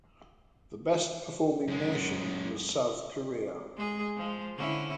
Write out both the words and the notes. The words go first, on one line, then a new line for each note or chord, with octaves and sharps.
The best performing nation was South Korea.
F#2 G#3
G#3 G#4
F3 G#3
D3 C#4 E4